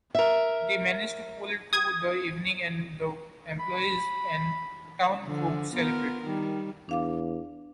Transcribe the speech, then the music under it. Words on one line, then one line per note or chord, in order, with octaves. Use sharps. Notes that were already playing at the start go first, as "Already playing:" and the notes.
They manage to pull through the evening and the employees and town folks celebrate.
A#4 E5
D#6 G#6
B5
D3 F3
B3 F4 A#4
D#3 G3
E2 D4 F5 D6